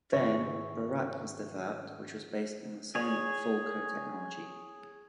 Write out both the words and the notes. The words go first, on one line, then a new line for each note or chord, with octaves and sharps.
Then, Burraq was developed which was based on the same Falco technology.
G#2 D#3 G#4 B4 E5 C#6
G#4 C#5